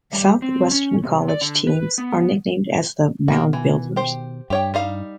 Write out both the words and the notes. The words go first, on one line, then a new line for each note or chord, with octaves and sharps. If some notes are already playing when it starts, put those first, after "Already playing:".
Southwestern College teams are nicknamed as the Moundbuilders.
G3
C4
C#4
C3
D5
D3
B4
B3
B2 D#3 A#3 B3 F#4
E3
G4 C5
G2 G4 C#5 G5
G3 D#4 F5